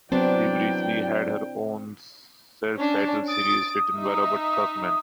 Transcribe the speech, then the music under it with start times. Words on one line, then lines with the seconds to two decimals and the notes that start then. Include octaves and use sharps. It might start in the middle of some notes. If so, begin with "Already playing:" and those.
She briefly had her own self-titled series, written by Robert Kirkman.
0.12 F#3 B3 C4 D4 E4 C5 G5
2.76 C#4 D4
3.28 D#6 A6 D7
3.93 D#4 E5